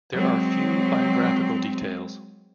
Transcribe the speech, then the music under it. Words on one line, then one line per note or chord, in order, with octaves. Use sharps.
There are few biographical details.
F#3 G#3 C4